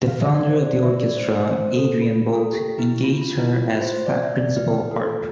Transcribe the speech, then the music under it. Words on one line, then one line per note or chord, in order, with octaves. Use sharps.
The founder of the orchestra, Adrian Boult, engaged her as Principal Harp.
F5
E5
D5
C5
D5
E5
D5
C5
C5
C5
A4
F4
A4
G4
E4
F4
F4
E4
F4
C5
D5
E5
D5
B4
A4
F4